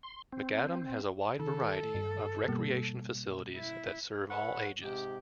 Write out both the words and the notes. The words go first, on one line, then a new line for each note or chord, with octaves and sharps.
McAdam has a wide variety of recreation facilities that serve all ages.
C6
C4
D#3 A4
G2
B2 G3 A#3
E4
A4 B4 C#5 F#5 B5
G#2 C3 G4